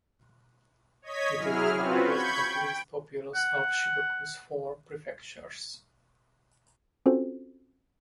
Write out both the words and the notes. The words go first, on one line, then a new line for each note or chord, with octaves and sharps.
It is the largest but least populous of Shikoku's four prefectures.
C#5 D#5 G#6 B6
F#3 E4 G#4 F6
C4 C#4 F4 F#4 B4
B5 C#6 G6 G#6
G5
F#5
C4 C#4 F4 F#4 A4 C5